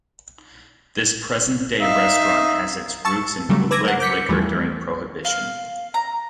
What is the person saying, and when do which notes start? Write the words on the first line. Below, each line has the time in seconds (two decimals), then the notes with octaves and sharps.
This present day restaurant has its roots in bootleg liquor during Prohibition.
1.81 D#4 E5 F5
3.05 A5 C#6 E6 A6
3.49 C#3 F#3 G3 A3
3.71 B4 D6 E6 G#6 A#6
3.85 A#4 F#5
4.00 D6 G6 B6 C#7
4.29 E2 E3 F3 G3 A3
5.25 F5
5.94 A#5